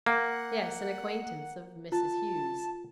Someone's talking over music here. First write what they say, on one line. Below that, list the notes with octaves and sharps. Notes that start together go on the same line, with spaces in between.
"Yes, an acquaintance of Mrs. Hughes."
A#3 F#5
F4 A5